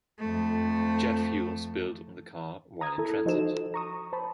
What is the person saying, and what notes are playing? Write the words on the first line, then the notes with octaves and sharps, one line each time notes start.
Jet fuel spilled on the car while in transit.
F2 A3
A#5 D#6 G#6
E4 A4
F3 D#4 F#4 A4 C5 E7
A#5 C#6 D#6
C5 A5 B5